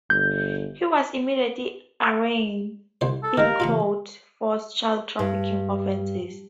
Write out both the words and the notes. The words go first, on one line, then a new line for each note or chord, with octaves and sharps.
He was immediately arraigned in court force child trafficking offences.
G1 G6
C2 C5
A4
D#3 G#3 G4 A#4 F5
C#3 E3 A3 F4 B5 C#6
G2